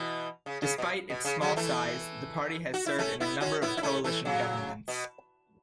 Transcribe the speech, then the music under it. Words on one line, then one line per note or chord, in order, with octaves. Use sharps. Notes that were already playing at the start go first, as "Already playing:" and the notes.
Despite its small size, the party has served in a number of coalition governments.
Already playing: B2 E3
C#3
C#3
B2
B2
C#3
C#3 F#3
E3 A3
F#4
E4
A3 C#4
B3 E4
C#4 F#4
B3 E4
E4
A3 C#4
E3 A3
C#3 F#3
B2